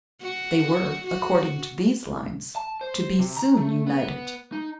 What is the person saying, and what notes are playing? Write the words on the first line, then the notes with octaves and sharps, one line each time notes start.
They were, according to these lines, to be soon united.
F#4
F#4
A5
C5
C3
A#5
A3
B3
D#4